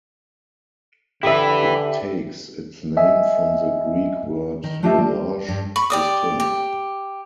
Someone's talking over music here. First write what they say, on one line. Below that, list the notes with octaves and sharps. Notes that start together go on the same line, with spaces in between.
It takes its name from the Greek word enarge, distinct.
D3 E4 G4 B4 E5
D#5 E5 G#5
D#3
A3 D4 F4 G4 D#5 E5
G3
G2
B5 C#6
G4 D5 D#6
G4